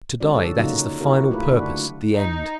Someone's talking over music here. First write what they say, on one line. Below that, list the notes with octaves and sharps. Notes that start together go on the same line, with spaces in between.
To die, that is the final purpose, the end.
G#3 C#4 F#4 D5
D3 A4
C#3 F#3 A#3 D#4 F4 F#4
E4 F#4 G4 A#4
A3 F4 G4 B4
D3 D4 F#4 B4
D#4